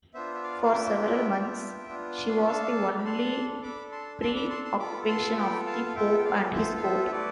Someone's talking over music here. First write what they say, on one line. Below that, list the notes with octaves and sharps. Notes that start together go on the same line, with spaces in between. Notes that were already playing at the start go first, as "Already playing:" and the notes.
For several months, she was the only preoccupation of the Pope and his court.
B3 D4 F4 C5 E5
E5
D5 F5
F5
B3 D4 F4 E5 G5
B3 D4 F4
B3 D4 F4
D6
C6
B5
D4 A4 F5 A5
B5
D4 A4 A5 C6
D4 A4 B5 D6
A5 C6
D4 A4 A5 C6
B5 D6
A5 C6
A5 C6
B3 F4 A4 B5 D6
A5 C6
B3 F4 A4 G5 B5
F5 A5
F5
B3 F4 A4 E5 G5
G5
D5 F5
B3 F4 A4 C5 E5
F5
C5 E5
E5
A3 E4 A4 B4 D5